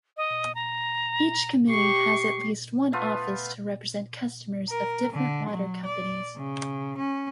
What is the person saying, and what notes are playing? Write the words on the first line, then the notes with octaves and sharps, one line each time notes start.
Each committee has at least one office to represent customers of different water companies.
D#5
A#5
G4 C#6 C7
A3 B3 F4 B4
A#4
D3
F#3
D5
C#3
C#4